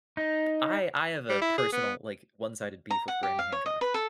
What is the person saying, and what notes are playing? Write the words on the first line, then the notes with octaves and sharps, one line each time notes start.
I I have a personal like one-sided beef with Graham Hancock.
D#4
G3
E4
G#4
B3
A#5
F#5
G4
F5
C#5
D#5
B4
A4